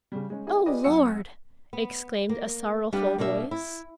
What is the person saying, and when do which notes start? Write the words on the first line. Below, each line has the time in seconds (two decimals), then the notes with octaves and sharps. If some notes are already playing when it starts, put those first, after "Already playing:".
"O Lord!" exclaimed a sorrowful voice.
0.12 C#3 G3
0.30 G#3 C#4
0.47 E4 G#4 D#5
0.66 F4 G4 G#4 B4 D5 D#5
0.84 F#2 C4 F#5 G#5 E6 C#7
1.73 B3
2.29 A#3
2.93 G3 B3 D4 G4 B4 F5
3.18 B2 G3 A#3 D4 C5 E5
3.51 E4